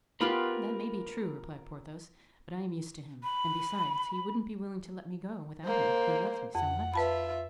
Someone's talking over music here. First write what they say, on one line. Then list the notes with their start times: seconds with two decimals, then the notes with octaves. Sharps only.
"That may be true," replied Porthos; "but I am used to him, and besides, he wouldn't be willing to let me go without him, he loves me so much."
0.21 B3 F4 G4 A#4 B5
3.24 B5
5.65 A#3 C5
6.55 F2 F#5
6.94 F4 B4 E5 A5 B5